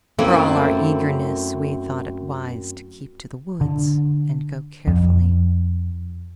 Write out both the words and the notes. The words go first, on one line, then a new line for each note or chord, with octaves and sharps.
For all our eagerness we thought it wise to keep to the woods and go carefully.
F#2 A3 A#3 C4 E4
D3
F2